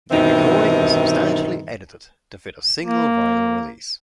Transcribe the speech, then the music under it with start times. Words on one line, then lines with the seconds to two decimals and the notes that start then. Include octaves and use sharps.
The recording was substantially edited to fit a single vinyl release.
0.11 G2 B2 D#3 E3 C4 D#4
2.82 A#3